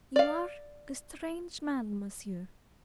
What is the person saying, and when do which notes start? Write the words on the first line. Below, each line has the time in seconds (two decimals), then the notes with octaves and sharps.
"You are a strange man, monsieur...."
0.16 D5 F5